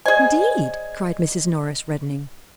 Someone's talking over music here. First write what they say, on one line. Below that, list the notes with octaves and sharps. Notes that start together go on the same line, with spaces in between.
"Indeed!" cried Mrs. Norris, reddening.
G#4 C5 D5 D#5 G#5